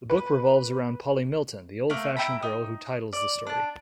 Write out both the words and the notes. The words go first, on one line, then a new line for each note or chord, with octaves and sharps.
The book revolves around Polly Milton, the old-fashioned girl who titles the story.
B4
A3 A#3 F5
E4 G5 A#5 B5
D#4
D5
D4 A5